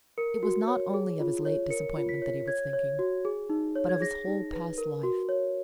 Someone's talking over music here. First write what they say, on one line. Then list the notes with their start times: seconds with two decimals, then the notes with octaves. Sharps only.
It was not only of his late disappointment that he was thinking, but of his whole past life.
0.18 A#4 C#7
0.43 F#4
0.68 C#5
0.94 G#4
1.20 F4
1.45 C#5
1.70 A#4 C#7
1.97 F4
2.09 B6
2.22 C#5
2.48 C#5 G#6
2.73 C#5
2.99 F#4
3.25 G#4
3.50 D#4
3.76 C#5
3.89 G#6
4.01 G#4 A#6
4.27 D#4
4.53 B4
4.78 A#4
5.03 F#4
5.29 C#5